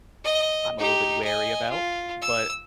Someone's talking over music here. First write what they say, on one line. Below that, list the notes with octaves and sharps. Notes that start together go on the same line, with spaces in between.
I'm a little bit wary about, but
D#5
D#4 G4
D#5 G#5
F4
E6